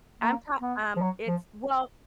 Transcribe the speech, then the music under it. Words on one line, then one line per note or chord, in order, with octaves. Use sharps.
I'm talk um, it's well,
A#3
B3
F3
F#3
F3